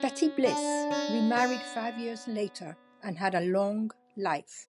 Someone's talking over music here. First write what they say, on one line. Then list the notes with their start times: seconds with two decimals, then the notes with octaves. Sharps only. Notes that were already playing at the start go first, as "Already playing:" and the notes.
Betty Bliss remarried five years later and had a long life.
Already playing: C#4
0.45 D4
0.91 C#4
1.36 B3